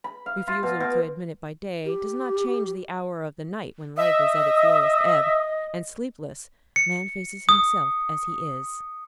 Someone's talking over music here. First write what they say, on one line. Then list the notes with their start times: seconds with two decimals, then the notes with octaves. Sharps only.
Refusal to admit it by day does not change the hour of the night when life is at its lowest ebb, and, sleepless, man faces himself as he is.
0.04 B5
0.26 F5
0.47 F4
0.63 B2
0.80 B2
1.85 G4
3.98 D#5 E5 D#6
6.76 C#7
7.49 D#6